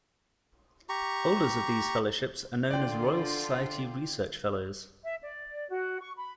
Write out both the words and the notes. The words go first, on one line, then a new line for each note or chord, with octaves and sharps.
Holders of these fellowships are known as Royal Society Research Fellows.
G4 A#5 C#6
D3 F4 D5 G5
E5
D5
F#4
C#6
B5